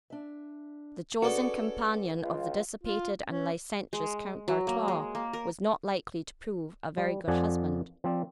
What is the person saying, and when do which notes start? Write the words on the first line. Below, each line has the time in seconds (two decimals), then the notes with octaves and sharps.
The chosen companion of the dissipated and licentious Count d'Artois was not likely to prove a very good husband.
0.10 D4 E5
1.22 C#4 F#4 G#4 A4 B4 C#5 D5
2.21 C#2 F4
2.84 F4
3.26 C#4
3.93 G#3
4.48 F#3
4.67 A#3
4.88 G#3
5.15 A#3
5.33 A#4
6.97 G3
7.28 F2 F3 D5 F#5 G#5
8.04 F3 C4 D5